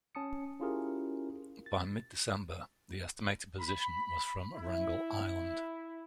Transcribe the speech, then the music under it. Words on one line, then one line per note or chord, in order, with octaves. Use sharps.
By mid-December the estimated position was from Wrangel Island.
C#4 A5 D#6 C#7
C#4 E4 F4 G4 G#4 A#4
A6
B5
E4